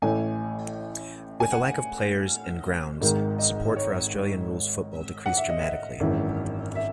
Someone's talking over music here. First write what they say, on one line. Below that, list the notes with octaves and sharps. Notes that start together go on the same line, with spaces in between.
With a lack of players, and grounds, support for Australian rules football decreased dramatically.
A1 A2 E3 G#5
G#5
F#5
G#1 G#2 D#3
D#5
C#5
F#5
E5
D#5
E5
G#1 F#2 E3
E5